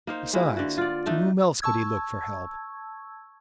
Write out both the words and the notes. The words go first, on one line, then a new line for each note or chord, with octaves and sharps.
Besides, to whom else could he look for help?
A#3 D#4 C5
G#3 A#3 E4 F#4
D3 F#4
F4 D5
A3 D4 D#4
A5 C#6 E6 G#6